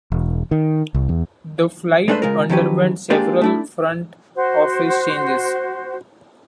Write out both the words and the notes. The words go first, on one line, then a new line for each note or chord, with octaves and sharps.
The Flight underwent several front office changes.
E1
D#3
C2
E2
G#3 A3 D4 F#4 B4 C5
C#3 G#3 F4 A#4
D#3 F3 F#3 C#4 G4 B4
G#3 A#3 D4 F4 G4 G#4
A3 D4 E4
F#4 C5